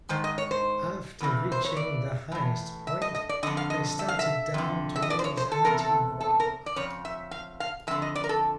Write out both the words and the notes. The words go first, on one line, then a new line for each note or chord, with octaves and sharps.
After reaching the highest point, they started down towards Antigua.
G#2 D#3 C5
D#5
C#5
C5
E2 C#3 E3
C5
C#5
D5
A2 E3
E5
D#5
D#5
D5
F2 D3 D#5
F5
D#5
E5
F5
E5
F2 D3
E5
D#5
D5
C5
C#5
C5
A4
E2 C3 A#4
A4
A4
A#4
D5
F2 C#3 C#5
E5
F5
F5
F2 D3 E5
D#5
D5
A#4
A4